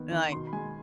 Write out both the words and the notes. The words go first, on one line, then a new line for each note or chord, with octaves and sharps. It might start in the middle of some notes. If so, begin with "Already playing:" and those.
and like
Already playing: D#3 B3
D#3
B2 C6
B5
G#3 G#5